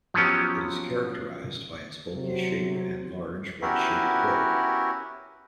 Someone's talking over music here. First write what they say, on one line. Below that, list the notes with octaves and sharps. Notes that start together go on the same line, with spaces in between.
It is characterized by its bulky shape and large, wedge-shaped bill.
F3 F#3 B3 C#4 G4
C3 F#3
B3 C#4 E4 F#4 G4 A#4